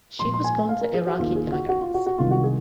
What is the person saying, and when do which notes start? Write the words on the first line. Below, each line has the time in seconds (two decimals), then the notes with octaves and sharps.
She was born to Iraqi immigrants.
0.19 A#2 F3 G#3 C6
0.34 C6
0.44 G#5
0.69 F5
0.81 A#4
0.94 G#4
1.07 F#4
1.19 D#2 D#3 A#3 F4
1.36 G#4
1.47 F4
1.52 F#4
1.69 F#4
1.81 F4
1.94 F#4
2.06 F#4
2.18 C2 C3 D#3 G#3 F4
2.31 F#4
2.44 G#4